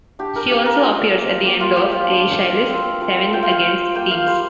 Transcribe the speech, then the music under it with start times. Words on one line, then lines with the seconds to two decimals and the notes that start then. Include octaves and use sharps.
She also appears at the end of Aeschylus' "Seven Against Thebes".
0.19 D4 G4
0.36 A#4
0.51 A#3 G4
0.66 A#4
0.82 F4
1.13 A#3
1.45 A#3 G4
1.61 F4
1.76 F3 G4
1.92 F5
2.08 D4
2.38 F3
2.70 C4
3.01 F3
3.33 F4 G5
3.43 F5
3.52 G5
3.65 F3
3.95 A#3 G5
4.11 F5
4.26 G3 C5